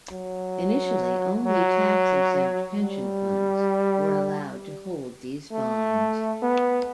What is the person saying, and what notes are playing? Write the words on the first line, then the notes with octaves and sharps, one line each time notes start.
Initially only tax-exempt pension funds were allowed to hold these bonds.
F#3
F#3
G3
A3
B3